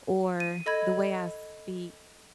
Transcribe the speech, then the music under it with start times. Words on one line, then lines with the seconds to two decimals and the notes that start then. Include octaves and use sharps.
or the way I speak,
0.40 D#7
0.66 A4 D#5 B5 G#6